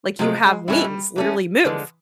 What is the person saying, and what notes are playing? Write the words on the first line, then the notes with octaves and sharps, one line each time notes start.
Like, "You have wings, literally move."
C3 F3 F#3 G#3
G#3
A2 E3 G3 G#3 C#4 E4
E3 A3 C#4
D3 E3 F3 G#3